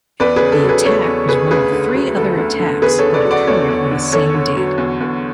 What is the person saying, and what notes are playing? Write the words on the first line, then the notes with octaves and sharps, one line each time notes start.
The attack was one of three other attacks that occurred on the same date.
E2 B4 D5
C#3 G#4 B4
A4
F#3
G#4 B4
E2 A4 C#5
E2
C#3 G#4 B4
D2 G#4 B4
D3
F#3
D2 A4
D2
D3
E2 G#4 B4
A4 C#5
D3
B4 D5
F#3
D5 F#5
E2 A4 C#5
E2
D3
E2 A4 C#5
D3
F#3
E2
E2